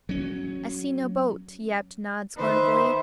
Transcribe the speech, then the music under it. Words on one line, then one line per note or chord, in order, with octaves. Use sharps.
"I see no boat," yapped Nod scornfully.
F#3 C#4
D#3 B4 C5 E5